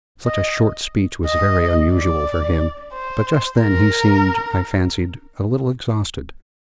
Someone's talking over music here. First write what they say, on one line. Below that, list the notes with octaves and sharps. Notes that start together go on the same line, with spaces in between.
Such a short speech was very unusual, for him: but just then he seemed, I fancied, a little exhausted.
D#5
D#5
D5
C5
A#4